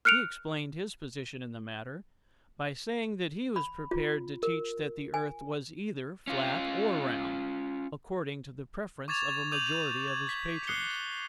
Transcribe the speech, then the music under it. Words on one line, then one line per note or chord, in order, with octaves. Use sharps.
He explained his position in the matter by saying that he was prepared to teach that the earth was either flat or round, according to the preference of a majority of his patrons.
F6 F#6 C#7 D7 F7
B5
F4
A#4
G#5
C#4 F4
C#6 D6 G#6 A6 E7 F7
D6 D#6 G6 D#7 F7 F#7
G#6
B6
D#6 F#6 C7 C#7 G7